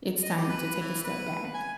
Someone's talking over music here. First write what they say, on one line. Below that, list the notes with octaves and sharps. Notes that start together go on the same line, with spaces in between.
it's time to take a step back?
D#5
G4
B4
E3
B4
G#5